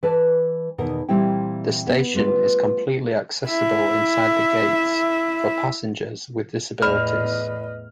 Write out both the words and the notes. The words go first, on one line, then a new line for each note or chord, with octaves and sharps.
The station is completely accessible inside the gates for passengers with disabilities.
E3 B4 D5 A5
E2 B2 D#3 A#4 F#5
A#2 E3 G3 C4 E4 G5
B3
G3 A3 F4 B4
E4 E5
E2 A2 B4 D5 D#5 B5 F6